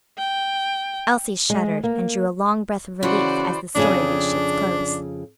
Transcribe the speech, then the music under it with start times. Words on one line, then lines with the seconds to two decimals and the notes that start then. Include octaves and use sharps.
Elsie shuddered, and drew a long breath of relief, as the story reached its close.
0.18 G5
1.50 G#3
1.83 A#3
3.03 C#3 E3 F#4 C5 D5
3.75 F2 C#3 D4 G#4